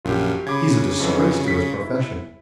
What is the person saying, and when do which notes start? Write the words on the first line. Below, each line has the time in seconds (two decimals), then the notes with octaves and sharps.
"He's a disgrace to his profession!"
0.05 A#1 F#2 F4 G4
0.47 C#3 B5 D6 G#6
1.00 F2 E3 F#3
1.48 B6
1.82 E4